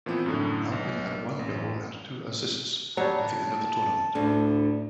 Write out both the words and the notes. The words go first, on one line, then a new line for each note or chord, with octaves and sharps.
Malkin had one goal and two assists by the end of the tournament.
A#2 E3 F3 B3 C4
F#2 A2 D3
B1
A#3
A1
F#3 G3 C#5 A5
D2 A2 D3